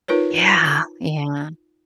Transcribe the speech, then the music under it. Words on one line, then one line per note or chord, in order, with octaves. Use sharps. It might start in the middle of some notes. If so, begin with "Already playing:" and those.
Yeah, yeah.
D#4 F4 A#4 B4 C#5